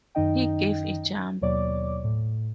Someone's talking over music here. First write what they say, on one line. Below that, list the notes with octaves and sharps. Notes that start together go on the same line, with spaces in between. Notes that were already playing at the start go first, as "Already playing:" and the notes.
He gave a jump.
F#2 D#3 D#4 D#5 G5
D#2 B2 F#3 C#5 D5 D6
A2